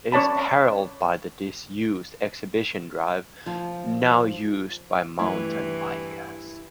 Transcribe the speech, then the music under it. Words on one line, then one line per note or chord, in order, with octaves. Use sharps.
It is paralleled by the disused Exhibition Drive, now used by mountain bikers.
C#4 C#5 D5 A5 B5
F3
G2 E3 A3 E4